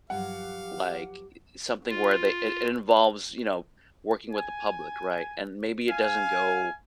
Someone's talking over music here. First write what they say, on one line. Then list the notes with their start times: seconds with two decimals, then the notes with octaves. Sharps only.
l like, i i something where they, it it involves, you know, working with the public, right, and maybe it doesn't go
0.10 G2 F3 F#3 G4 F5 F#5
1.90 F4
4.31 G#5
5.89 F5 G#5